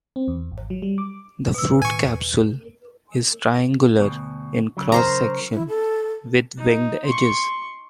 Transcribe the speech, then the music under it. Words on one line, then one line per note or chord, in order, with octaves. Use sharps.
The fruit capsule is triangular in cross section with winged edges.
C4
E2
G#1
F#3
G3
D6
B2 E6
A2 D#3 G#5 C#6
E2
D2 B2
C#3 F#3
A#4 C5 A#5
E4
A4
D#4
C6 C#6